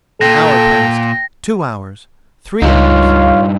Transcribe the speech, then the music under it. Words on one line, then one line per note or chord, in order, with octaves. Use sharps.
An hour passed ... two hours ... three hours.
A#2 A4 G5 A#6
C#2 G2 D#4 F4 C#5 F5